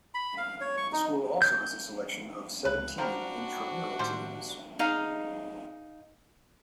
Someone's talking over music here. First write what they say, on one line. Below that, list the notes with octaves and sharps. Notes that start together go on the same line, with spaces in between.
The school also has a selection of seventeen intramural teams.
B5
F5
C#5
C#6
D#4
G6
C#2 B4
F3 D4 F#4 A#4 C5 G5 B5
A2 D#3 G3 G4 C5
D#4 G#4 F5